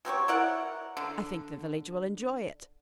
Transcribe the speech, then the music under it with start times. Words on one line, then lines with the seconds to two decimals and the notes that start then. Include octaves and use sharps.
"I think the village will enjoy it."
0.05 F#3 C4 G4 C#5
0.28 E4 A#4 D5 F#5
0.97 D3